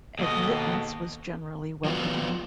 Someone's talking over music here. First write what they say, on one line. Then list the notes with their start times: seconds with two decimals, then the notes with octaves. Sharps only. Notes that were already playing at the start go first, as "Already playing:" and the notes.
Admittance was generally welcoming.
0.19 D#2 G#2 B2 A4 D#5
1.84 F3 F#3 B3 F4